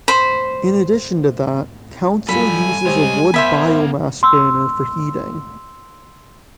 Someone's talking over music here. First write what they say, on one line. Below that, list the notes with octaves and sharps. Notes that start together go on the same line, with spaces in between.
In addition to that, Council uses a wood biomass burner for heating.
C5 B5
F#3 G3 F4 A4 G#5 B5
G3 G#3 G4 C5 C#5 D#5
B3 A#4 C5 E5 B5 G#6
C6 E6